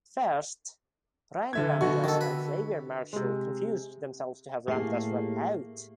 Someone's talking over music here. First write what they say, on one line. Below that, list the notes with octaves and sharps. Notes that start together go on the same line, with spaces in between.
First, Ryan Ramdass and Xavier Marshall confused themselves to have Ramdass run out.
D3 E5 G#6
B2 D3 F#4 C#6
D#3 A4
B4
C3 G#3
A2 A3 A#3 G4 G#4 C7